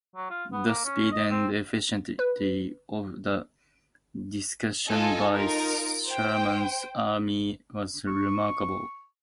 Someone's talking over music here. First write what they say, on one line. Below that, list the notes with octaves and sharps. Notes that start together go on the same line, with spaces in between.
The speed and efficiency of the destruction by Sherman's army was remarkable.
F#3
F4
B3
A#3
C#4
D#5
C4
B4
F4 A4 D#5 G#5
D#4 F4 A#4
C5 G5
C#6